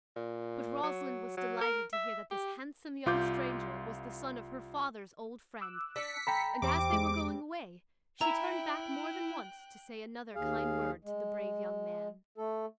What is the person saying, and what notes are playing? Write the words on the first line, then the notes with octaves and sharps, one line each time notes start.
But Rosalind was delighted to hear that this handsome young stranger was the son of her father's old friend, and as they were going away, she turned back more than once to say another kind word to the brave young man.
A#2
F#3
F#3
A#4
E5
G4
C2 F4 D6 G6
D6 E6 F#6
D4 A5 B6 C#7
A4 G5 A#5 B5
E2 G3 C4 D6
G#3
E4 E5 G5 A#5 B5 F#6
D#2 G#4 F5
G#3
A3 A4